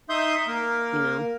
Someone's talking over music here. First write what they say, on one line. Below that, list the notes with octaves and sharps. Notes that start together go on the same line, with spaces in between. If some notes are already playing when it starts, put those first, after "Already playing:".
you know,
D#4 E5 C6 D#6 G6
A#3 A#4